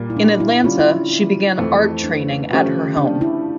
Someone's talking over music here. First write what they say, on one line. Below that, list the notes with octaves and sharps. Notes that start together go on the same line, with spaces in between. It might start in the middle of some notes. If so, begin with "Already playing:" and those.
In Atlanta she began art training at her home.
Already playing: A#2 G3 A#3
E4
D4
E4
D3 G3 C#4 F4
E4
F2 E3 A3
D4
C#3 F3 A3 C#4 G4
D4
E4